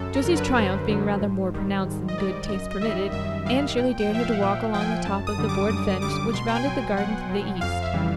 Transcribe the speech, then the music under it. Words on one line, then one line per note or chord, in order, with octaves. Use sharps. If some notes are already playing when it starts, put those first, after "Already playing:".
Josie's triumph being rather more pronounced than good taste permitted, Anne Shirley dared her to walk along the top of the board fence which bounded the garden to the east.
Already playing: F#2 A4
A#4
D3 F#3
B4
F#2 C5
D3 F#3
G#2
D#3 G3
G#2
D#5
D#3 G3 D5
F#2 D#5
D#5
D#3 G3 E5
F#2 E5
D#3 G3 F5
A#2 G5
G5
F3 E5
F5
F#5
A#2 G5
F3 G5
G#5
G5
F#2 A5
D#6
D3 G3
D6
F#2 D#6
D#6
D3 G3 D6
B2 C6
G5
G#5
F#3
B2 F#5
F#3
F2 F5
E5
C#3 E3 G3